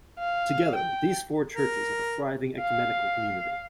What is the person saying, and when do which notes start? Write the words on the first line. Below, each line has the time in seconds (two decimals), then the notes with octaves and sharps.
Together, these four churches have a thriving ecumenical community.
0.19 F5
0.75 G5
1.56 A#4
2.61 F5